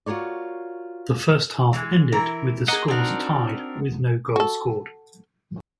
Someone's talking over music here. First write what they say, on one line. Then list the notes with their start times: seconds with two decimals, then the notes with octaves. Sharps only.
The first half ended with the scores tied with no goal scored.
0.06 F4 F#4 A#4 C#5 D5
1.73 E3 G#3
2.12 E3 E4 A#4
2.68 A#3 G#4 D#5 F#5
2.88 C4 D4 D#4 F#4 A#4
4.36 F#4 A4